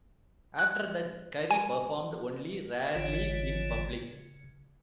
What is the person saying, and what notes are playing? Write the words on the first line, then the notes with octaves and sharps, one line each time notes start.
After that, Curry performed only rarely in public.
F#6
G#5
G#1 D3 E3 F4 C#5
C#3